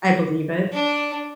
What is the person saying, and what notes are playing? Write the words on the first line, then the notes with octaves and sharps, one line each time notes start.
I believe it.
D4